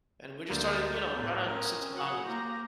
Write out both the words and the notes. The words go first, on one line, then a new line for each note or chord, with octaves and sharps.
And we're just starting, you know, trying to set some boundaries.
D2 A#3 D4 A#4 C5 D5
A2 B3
C4 C#4 A#4 D#5 G#5
F#3 F#5
A#3 G4 C5 A#5